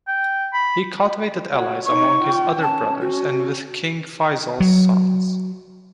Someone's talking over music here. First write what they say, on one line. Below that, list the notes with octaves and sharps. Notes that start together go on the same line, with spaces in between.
He cultivated allies among his other brothers and with King Faisal's sons.
G5
B5
F#4 C#5
D#4 C#5 C#6
F4 G5
C#4 A5
F#4
F#3